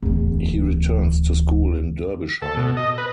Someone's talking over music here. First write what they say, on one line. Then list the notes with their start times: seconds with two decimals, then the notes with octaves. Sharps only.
He returns to school in Derbyshire.
0.02 D1 E2
2.42 A4
2.57 B2
2.77 D#5
2.98 B4